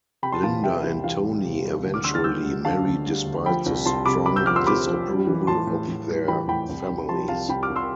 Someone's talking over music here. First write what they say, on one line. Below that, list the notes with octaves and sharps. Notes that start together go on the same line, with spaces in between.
Linda and Tony eventually marry despite the strong disapproval of their families.
C3 G5 B5
A5 C6
E3 F5 A5
C3 E5 G5
C2
E3 F5
G3
C3
G3
D2
D6 F6
D3 C6 E6
F6 A6
G3 E6 G6
D2
D3 F5 A5
D2
G3
D2
F3 G5 B5
C2
C2 A5 C6
C3 B5 D6
C3 B5 D6
E6 G6
F3 D6 F6
C6 E6
C3 B5 D6
F3
G3
E3
A2 A5 C6
A2
A2
G3
E3 G5 B5
A2 G5 B5
C2
C2
F3 A5 C6
C2 F5 A5
C2 G5 B5
D6 F6
C2
C6 E6